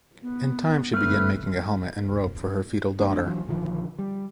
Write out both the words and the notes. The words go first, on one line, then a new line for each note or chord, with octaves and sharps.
In time she began making a helmet and robe for her fetal daughter.
B3
G1 F#2 A3 C4 B4 F6
G1 A3 C#4 D4
E3 F#3
A#1 D3 D#3 F3
G3